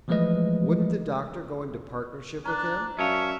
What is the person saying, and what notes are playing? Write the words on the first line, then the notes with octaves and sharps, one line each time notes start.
Wouldn't the Doctor go into partnership with him?
E3 F3 G#3 A3 B4 D#5
D4 A#5 F#6
F#2 C#4 C#5 D5 E5 F5 A5